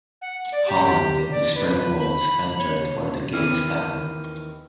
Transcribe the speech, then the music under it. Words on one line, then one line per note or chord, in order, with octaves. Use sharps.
Holland in the Spring Woods, entered where the gates stand.
F#5
D5
G4
D5
B4
B5
C#5
D#2 C3 D#3 E3 C#4 G#4 F6 D#7